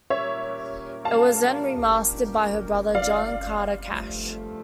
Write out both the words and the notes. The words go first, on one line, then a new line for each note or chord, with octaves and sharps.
It was then remastered by her brother John Carter Cash.
A#2 G3 C#4 G4 A#4 C#5 E5
F5 A5
D5 F5
G2 F3 A3